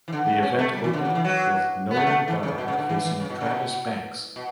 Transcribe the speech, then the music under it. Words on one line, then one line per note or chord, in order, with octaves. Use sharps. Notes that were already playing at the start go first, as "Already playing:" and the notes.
The event opened with Noam Dar facing Travis Banks.
E3
D3
G3
A3
C#4
A3
G3
E3
D3
C#3
E3
F#3
B3
A3
A3
E3
C#3
B2
C#3
D3
E3
E3
C#3
B2
C#3
B2
B2